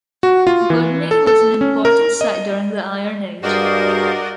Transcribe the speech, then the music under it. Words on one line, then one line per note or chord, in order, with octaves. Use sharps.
Gudme was an important site during the Iron Age.
F#4
F4
E3
A4
A4
C#4
A#4
D#5
G2 F#4 G#4 A#4 C5 D5 D#5 F5